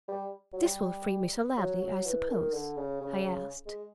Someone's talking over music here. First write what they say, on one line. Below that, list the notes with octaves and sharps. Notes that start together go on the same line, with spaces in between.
"This will free Mr. Ladley, I suppose?" I asked.
G3
F#3
G3
F#3
F#3
E3
D#3
D3
C#3
C#3
C#3
G#3